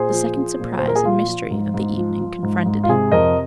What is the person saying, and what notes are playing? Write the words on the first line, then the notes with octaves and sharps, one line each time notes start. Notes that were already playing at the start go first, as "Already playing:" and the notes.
The second surprise and mystery of the evening confronted him.
Already playing: A#2 G#4 C5
F3
F3
A#2
A#2 C5
A#4
G#4
F3 F4
F3
G#2
G#2
F3
F3
G#2
G#2
F4
C3 G#4
F2 A#4 D#5